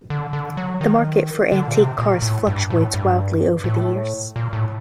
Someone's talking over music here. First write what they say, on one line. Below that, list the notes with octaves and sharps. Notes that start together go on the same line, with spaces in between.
The market for antique cars fluctuates wildly over the years.
D3
D3
F#3
D#3
D3
A#2
C3
A#2
A2
G2
A2
G2
A2
A#2
A2